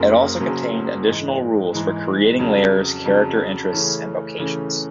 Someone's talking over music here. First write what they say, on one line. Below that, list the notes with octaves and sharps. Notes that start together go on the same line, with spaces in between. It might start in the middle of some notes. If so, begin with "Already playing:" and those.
It also contained additional rules for creating lairs, character interests and vocations.
Already playing: F#1 F#2 C#3 F#3 A#3
F#1 F#2 C#3 F#3 A#3
G#2 E3 G#3
G#2 E3 G#3
F2 C#3 F#3
F2 C#3 F#3
C#3 E3 A3 C#4
C#3 E3 A3 C#4